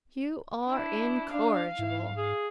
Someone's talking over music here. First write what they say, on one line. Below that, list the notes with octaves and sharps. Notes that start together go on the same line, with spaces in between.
"You are incorrigible!"
D4 E4
D4 F5
G#2 E4
G#4